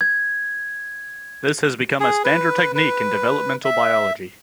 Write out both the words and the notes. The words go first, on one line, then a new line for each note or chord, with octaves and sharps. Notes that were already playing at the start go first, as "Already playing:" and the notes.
This has become a standard technique in developmental biology.
G#6
G#4
B4
B4
E5